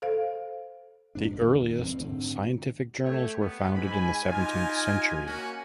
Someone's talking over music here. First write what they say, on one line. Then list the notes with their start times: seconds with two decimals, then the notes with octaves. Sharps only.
The earliest scientific journals were founded in the seventeenth century.
0.02 A4 C5 F5
1.15 G2 D4
1.32 F#1 D#2 D#3
1.78 E2 E3 F3 C4
1.99 G#2 D3 C4
3.05 A3 G4 C#5
3.41 B3
3.75 G#2 G#5 B5
4.27 D#4 F4 G4
5.27 A#3 C#4 F#4